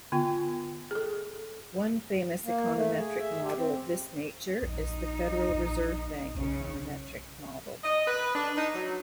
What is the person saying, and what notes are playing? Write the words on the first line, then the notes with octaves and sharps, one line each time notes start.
One famous econometric model of this nature is the Federal Reserve Bank econometric model.
D3 B3 F4 G5
G#4 A4
A#3
A3
G#4
E5
G4
C4
A#1 D#4
A#1
B1 C#3
D#5
B4
D4
D#4
F#3